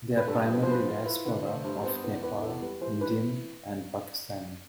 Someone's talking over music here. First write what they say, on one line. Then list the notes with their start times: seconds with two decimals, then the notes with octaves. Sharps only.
They are primarily disapora of Nepal, Indian and Pakistani.
0.17 B4
0.28 G2 A4
0.48 F3
0.54 B4
0.63 C5
0.67 F4 B4
0.81 C5
0.87 F4
1.06 E4 B4
1.25 D3 B4
1.45 A3 C5
1.64 G2 C5
1.84 B3 C5
2.04 E2 B4
2.22 E2 B4
2.42 E2 A4
2.62 G3 B4
2.81 E3 C5
3.01 E3 B4